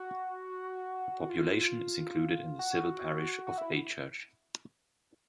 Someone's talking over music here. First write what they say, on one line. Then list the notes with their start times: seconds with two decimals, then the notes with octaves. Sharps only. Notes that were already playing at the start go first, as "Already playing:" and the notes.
The population is included in the civil parish of Achurch.
Already playing: F#4
1.21 F#4
1.30 F4
2.59 F#4
3.47 F#4
3.58 E4